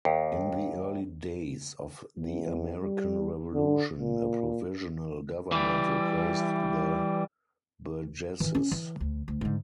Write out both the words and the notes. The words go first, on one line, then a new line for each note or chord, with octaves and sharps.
In the early days of the American Revolution, a provisional government replaced the Burgesses.
D#2
E2
G3
D3
A#2
E3 G3
D#3 E3
C#4
E3
D2
D2
G#2 D3